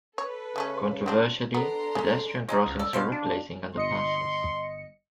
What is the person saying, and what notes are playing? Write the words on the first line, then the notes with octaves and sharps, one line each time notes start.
Controversially, pedestrian crossings are replacing underpasses.
A4 B4 C#5
C#3 G#3 A3 C#4
F#3 C4 D4
B3 D4 A4 A#4 A#5 C6
G#3 C#4
G#3 D#4 G#4
C#2
A4 D5
B2 F3 C5 F5
D4
G1 D#5 C6 C#7